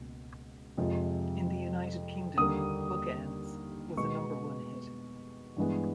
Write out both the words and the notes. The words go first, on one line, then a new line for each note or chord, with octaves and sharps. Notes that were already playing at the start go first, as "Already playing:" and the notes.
In the United Kingdom, "Bookends" was a number one hit.
Already playing: C#2 B2 A#3
F2 C3 F3 G#3
D#2 D3 G3 A#3 D#6
B2 G#3 B3 C#6
G2 E3 G#3 B3